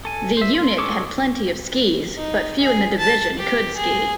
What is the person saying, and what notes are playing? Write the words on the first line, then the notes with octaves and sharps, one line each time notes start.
The unit had plenty of skis but few in the division could ski.
A4 G#5
C5 E5
C6
G#3 G#4 A4 C#5 D6
D#4
G#4
A5
G4
G#4